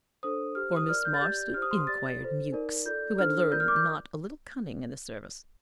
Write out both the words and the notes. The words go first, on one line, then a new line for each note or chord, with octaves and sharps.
"For Miss Marston?" inquired Mewks, who had learned not a little cunning in the service.
D4 A4 C5 D#6
G4 C5 F6
D#6
F4 A#4 D5 F6
G6
A6
G4 D5 G6
G4 C5 F6
D#6
C6
D#6
G4 D5 A6
F4 A4 C5
D#4 A#4 D5
F4 A4 D5 G6
D4 F4 A4 C5 F6
F4 A#4 D5 G6
F6
D6
G6